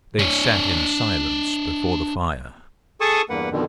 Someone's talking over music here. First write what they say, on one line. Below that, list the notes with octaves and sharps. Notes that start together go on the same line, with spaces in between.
They sat in silence before the fire.
D4 C#5
G#4 A4 G#5 A5 C#6 D#6
E2 G2 A#3 B4 F#5
F2 B2 D3 D#3